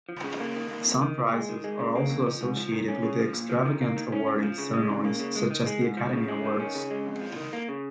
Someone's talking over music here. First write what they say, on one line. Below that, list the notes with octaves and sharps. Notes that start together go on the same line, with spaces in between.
Some prizes are also associated with extravagant awarding ceremonies, such as the Academy Awards.
F3
C#3
A#3
D#3
A#3
F2
D#3
A#2
G#3
D#3
G#3
C#3
A#3
F2
F3
G#2
F3
D#3
C#4
C#3
F3
A#2
F3
D#3
A#3
D#3
C#4
C#3
F3
C#3
G#3
C#3
A#3
C#3
G#3
D#3
G#3
G#2
F3
C#3
G#3
D#3
C#4
C#3
G#3
F2
F3
D#3
A#3
C#3